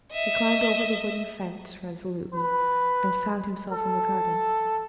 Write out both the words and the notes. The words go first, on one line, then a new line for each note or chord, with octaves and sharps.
He climbed over the wooden fence resolutely, and found himself in the garden.
D#5 E5
B4
A4